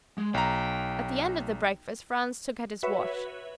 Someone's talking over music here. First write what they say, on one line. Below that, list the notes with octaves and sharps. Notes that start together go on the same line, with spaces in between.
At the end of the breakfast Franz took out his watch.
G#3
B1 G5 A#5
F#4 B4 C#5 E5